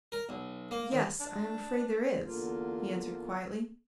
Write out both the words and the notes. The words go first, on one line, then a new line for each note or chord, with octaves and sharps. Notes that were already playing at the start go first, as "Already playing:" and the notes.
"Yes; I am afraid there is," he answered quietly.
A#4
B1
A#3
D#3
D4
E2 D3 A#3 F4